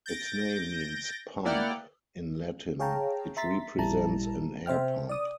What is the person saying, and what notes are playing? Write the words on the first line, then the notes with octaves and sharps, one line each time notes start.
Its name means "pump" in Latin; it represents an air pump.
G6 A6 A#6 D7
A#3 E4 D5 F#5 G5 F6
G#4 C#5 F5 G5 A5 A#5
E5 A#5 C6 A6 B6
A1 A#2 G3 E4 A5 A#5
C3 C5 E5 G5 F6
D5 D#6